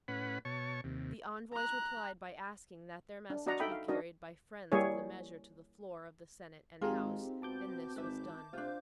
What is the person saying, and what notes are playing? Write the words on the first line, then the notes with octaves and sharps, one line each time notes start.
The envoys replied by asking that their message be carried by friends of the measure to the floor of the Senate and House, and this was done.
A2 C#4 B4 F#5 B5
B2 C#5 A5 C#6
D#2 C3
A#5 F#6
D4
D4 F#4 D5 D#5 F#5 A#5
D#4 A4 E5 G5 B5 D#6
F5
D4 D#4 F#4 A#4 D#5
G3 A#3 E4 G#4 C#5
G#1 G#3 C4 D#4 F4 G4 G#4 A#4
B2 A5 D6 G6
G#1 B4 E5
C3 D4 F4 C5